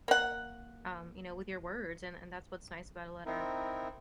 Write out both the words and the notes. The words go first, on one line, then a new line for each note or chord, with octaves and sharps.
um, you know, with your words, and and that's what's nice about a letter.
A#3 F#5
C4 D#4 E4 A#4